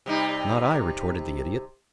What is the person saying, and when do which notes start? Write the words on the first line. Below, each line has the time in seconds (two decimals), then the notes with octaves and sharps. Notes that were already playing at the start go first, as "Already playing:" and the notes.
"Not I," retorted the Idiot.
0.06 C3 G3 D#4